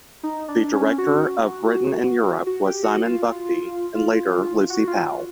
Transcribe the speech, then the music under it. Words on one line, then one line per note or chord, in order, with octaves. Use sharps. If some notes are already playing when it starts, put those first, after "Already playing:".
The director of Britain in Europe was Simon Buckby and later Lucy Powell.
D#4
D4
C#4
F#4
F#4
G4
F#4
F4
F4
F#4
F4